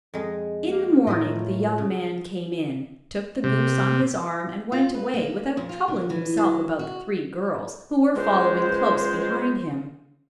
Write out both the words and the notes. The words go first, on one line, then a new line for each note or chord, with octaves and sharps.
In the morning the young man came in, took the goose on his arm, and went away without troubling himself about the three girls, who were following close behind him.
F2 G#3
A#3
A2 F4 A#4 C5 C#5 D#5
C#3
C3
F4
B4
A#3
F2
F4
D3
E3
F#3
F#4
C#2 G#3 C5